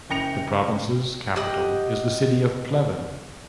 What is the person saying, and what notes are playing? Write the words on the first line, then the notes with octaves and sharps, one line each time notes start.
The province's capital is the city of Pleven.
F#1 F#2 G5 A#6 C#7 F7
G4 D#5 F#5